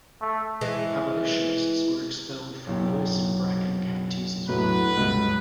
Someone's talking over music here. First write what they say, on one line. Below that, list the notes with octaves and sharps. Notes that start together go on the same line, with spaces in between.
Abolitionists were expelled from Lewis and Bracken counties as well.
A3
E3 G#3
F#1 B1 G4
E2 A2 D3 F#3 B4
C#2 G2